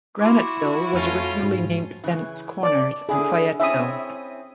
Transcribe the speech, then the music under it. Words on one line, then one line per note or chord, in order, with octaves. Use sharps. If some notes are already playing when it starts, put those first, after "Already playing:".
Graniteville was originally named Bennett's Corners and Fayetteville.
E4 F#4 C6 D6
F2 A3 C#4 F4
G#2
C#3 E3
D5
D3 C#4 E4 G#4
C4 C#4 E4 E5 D#6